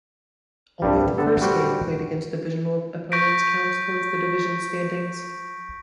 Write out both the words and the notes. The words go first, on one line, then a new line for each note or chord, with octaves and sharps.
Only the first game played against divisional opponents counts towards the division standings.
C2 G2 G3
D3 B3 A4
G3 F#4 C5 G5
C#6 G6 A#6 B6 D7